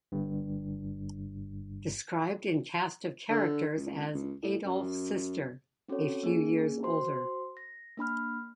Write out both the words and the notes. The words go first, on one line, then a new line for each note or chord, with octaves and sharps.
Described in cast of characters as 'Adolf's sister, a few years older.
G1 G2
D3
C#2
C#2
A2
F#2
C4 C#4 F#4 A4 C#5
A#3 C#4 G#4
F#4 C5 C6
A#6
A#3 D4 B5 F6